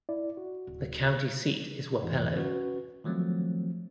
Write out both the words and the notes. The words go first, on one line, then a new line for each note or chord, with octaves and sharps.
The county seat is Wapello.
E4 D5
F#4
D1
F2 G#2 E3
C#4 F#4 B4
D#3 F3 F#3 A3 C4